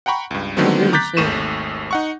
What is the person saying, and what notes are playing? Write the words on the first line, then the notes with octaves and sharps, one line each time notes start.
It really should.
F#5 G5 A#5 B5 C#6
C#2 G2
D3 D#3 F#3 A3 B3 C4
A#5 D6 F#6 G6 A6 B6
G#1 D#2 A3 C#6 D#7 E7
D#4 F#5 C#6